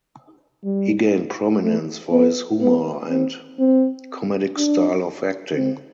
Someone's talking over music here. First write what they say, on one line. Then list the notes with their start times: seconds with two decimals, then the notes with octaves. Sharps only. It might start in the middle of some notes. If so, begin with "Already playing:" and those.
He gained prominence for his humor and comedic style of acting.
0.64 G3
1.63 A3
2.11 B3
2.61 B3
3.10 C4
3.59 C4
4.57 D4
5.55 C4